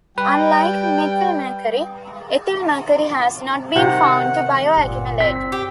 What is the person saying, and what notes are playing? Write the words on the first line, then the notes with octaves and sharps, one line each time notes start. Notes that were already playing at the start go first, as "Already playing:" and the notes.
Unlike methylmercury, ethylmercury has not been found to bioaccumulate.
G3 B4 G5
C3 D#3 F#5
G1 A#2
C4 B6
G4